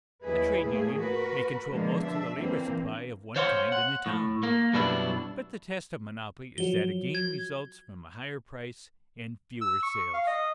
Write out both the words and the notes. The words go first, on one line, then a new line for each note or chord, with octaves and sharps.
A trade-union may control most of the labor-supply of one kind in a town. But the test of monopoly is that a gain results from a higher price and fewer sales.
D#2 F#3 E4 G#4 B4
A2 A3 A#3 G#4
F#4 A#4 B4
B2 D3 F3 G#3 A#3 B3
D4 E5
A#2 D3 E3 A#3 C4
C5 C#5 F5 F#5 G#5 C6
F#5
A2
A#3
F#2 B2 G3 B3 D4 E4
F3 F#3 G7
G#6
E6
C#6
F5
D#5